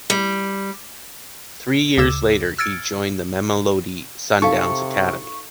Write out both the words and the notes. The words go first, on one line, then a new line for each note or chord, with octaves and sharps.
Three years later, he joined the Mamelodi Sundowns academy.
G3
D2 C#3 D6 E6 E7
E6 F6 G#6 A6 C#7 D7
C3 D#4 A4 F5 C#6